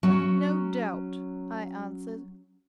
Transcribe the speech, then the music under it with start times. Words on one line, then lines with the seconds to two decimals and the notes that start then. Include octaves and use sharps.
'No doubt,' I answered.
0.03 F#3 C#4